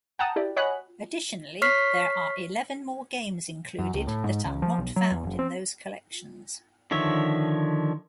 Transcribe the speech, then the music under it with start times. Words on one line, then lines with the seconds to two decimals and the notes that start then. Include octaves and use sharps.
Additionally, there are eleven more games included that are not found in those collections.
0.19 F#5 G5 A5 A#5 D#6
0.36 E4 G4 D5
0.56 C#5 D#5 F#5 G#5 B5 F#6
1.62 C#5 C#6 F6 B6 C7
3.79 F#2
3.94 C#2
4.07 A2
4.24 G#2
4.44 C#2
4.62 F3
4.78 B1
4.96 F#3
5.11 E2
5.24 F#1
5.39 C4
6.91 D3 D#3 F3 C#5 E5